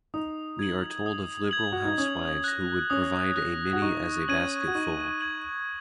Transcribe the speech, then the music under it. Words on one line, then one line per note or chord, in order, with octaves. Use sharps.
We are told of liberal housewives who would provide a many as a basketful.
D#4 D#6
G#6 F#7
D#6
G#6 F#7
F#4
D#4
C#4 D#6
F#6 A#6
C#4 D#6
F#6 A#6
F#4
D#4 C#6
C#4 G#6 D#7 F#7
F#4
D#4 C#6
G#6 D#7 F#7